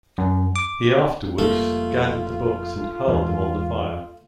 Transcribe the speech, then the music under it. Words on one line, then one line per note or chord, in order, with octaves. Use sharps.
He afterwards gathered the books and hurled them on the fire.
F#2
D6
F1 G3 A3 A#3 F4
E2 G#2 E3